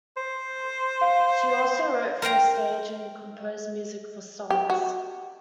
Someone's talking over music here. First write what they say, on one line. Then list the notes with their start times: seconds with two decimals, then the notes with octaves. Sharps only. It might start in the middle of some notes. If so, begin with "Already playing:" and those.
She also wrote for the stage, and composed music for songs.
0.17 C5
1.01 F5
2.22 A#4 C5 G5 A#5
4.50 G4
4.70 F#4